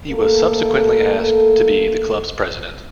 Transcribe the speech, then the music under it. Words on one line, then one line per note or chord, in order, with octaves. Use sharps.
He was subsequently asked to be the club's president.
A3 A#3 A4